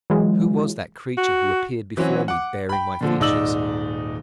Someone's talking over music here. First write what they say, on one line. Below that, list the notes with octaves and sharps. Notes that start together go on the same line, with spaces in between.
Who was that creature who appeared before me bearing my features?
E3 F#3 G#3 F4
F#4
E3 F#3 C4 C#4 F#4
F#5 D6
G5 B5
A#2 D3 F3
D#1 G#2 D#4 D5 E6 F#7